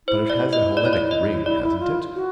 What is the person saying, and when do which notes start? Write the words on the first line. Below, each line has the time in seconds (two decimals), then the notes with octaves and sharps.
But it has a Hellenic ring, hasn't it?
0.07 E4 C5
0.30 D5
0.53 D#5
0.77 D5
0.85 C#5
0.93 D5
1.11 D#5
1.46 E4 D5
1.63 E4
1.80 F4
2.15 F#4